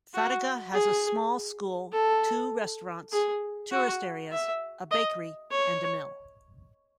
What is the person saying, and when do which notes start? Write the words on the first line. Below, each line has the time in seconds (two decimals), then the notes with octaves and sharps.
Fataga has a small school, two restaurants, tourist areas, a bakery and a mill.
0.14 F#4
0.73 G#4
1.93 A4
3.12 G#4
3.71 F#4
4.32 E5
4.91 D#5
5.51 C#5